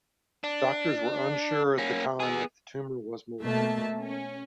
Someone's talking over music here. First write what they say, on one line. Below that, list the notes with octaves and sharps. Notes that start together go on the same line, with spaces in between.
Doctors were unsure at the time if the tumor was malignant.
D4
A#3 C#4
B3 G#4
B2 A3 A#3 E5 A5
C#4